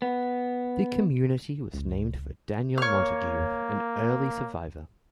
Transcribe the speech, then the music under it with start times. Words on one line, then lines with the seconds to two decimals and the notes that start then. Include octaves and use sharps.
The community was named for Daniel Montague, an early surveyor.
0.02 B3
1.74 C#2
2.78 A#3 C#5 F6